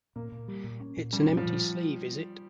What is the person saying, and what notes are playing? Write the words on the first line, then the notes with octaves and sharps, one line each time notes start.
It's an empty sleeve, is it?
A#2 A#3
A#2
G3
A#2
C#4
A#2
G3 C#4
A#2
F3
A#2